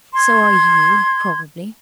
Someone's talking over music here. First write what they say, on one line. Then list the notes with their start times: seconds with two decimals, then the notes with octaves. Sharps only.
So are you, probably.
0.14 C6 G#6